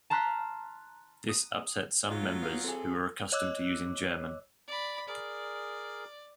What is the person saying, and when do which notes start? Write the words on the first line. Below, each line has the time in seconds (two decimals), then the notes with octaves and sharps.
This upset some members who were accustomed to using German.
0.10 A5 A#5 C6 F6 F#6 B6
1.29 D#6
2.08 F#3 F4
2.23 A3
2.42 B3 F5
2.64 C4 G#4 A4
3.32 C#5 D#5 D6 E6 F#6
4.68 D5 B5
5.08 G#4 A#4 D5